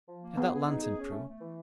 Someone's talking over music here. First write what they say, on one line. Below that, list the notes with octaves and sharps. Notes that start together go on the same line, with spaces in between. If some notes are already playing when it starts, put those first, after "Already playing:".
Get that lantern, Prue.
F3
A#3
B3 G#4
G#4
D#4
G#4
C#4
A3
A3
E3